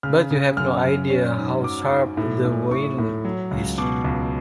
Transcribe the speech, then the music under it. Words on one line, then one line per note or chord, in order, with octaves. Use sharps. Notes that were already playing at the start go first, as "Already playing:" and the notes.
But you have no idea how sharp the wind is.
C#3 F6
C#3
F#2 F6
F#2
C#4
G#2
F#3 D6
G#2
A2
A2
A2 C#6
A2
F#3
C#2
B2 D6
C#2